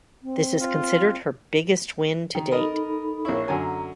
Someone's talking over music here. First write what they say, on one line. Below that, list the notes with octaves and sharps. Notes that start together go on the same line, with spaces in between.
This is considered her biggest win to date.
C4
F4
D#3
D#4 A4 A#4 D#5 B5
A#1 E4 A#4 C#5 C#6
F#2 D3 G#5 A#5